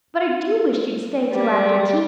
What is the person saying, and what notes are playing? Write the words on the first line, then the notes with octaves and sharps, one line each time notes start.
But I do wish you'd stay till after tea.
G3